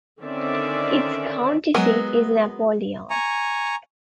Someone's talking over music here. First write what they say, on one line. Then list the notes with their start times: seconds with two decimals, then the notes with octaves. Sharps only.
Its county seat is Napoleon.
0.20 D3 D#3 C4 C#4 D5 E5
1.74 F#3 G#3 B3 A#4
3.10 G#5 A#5 C#6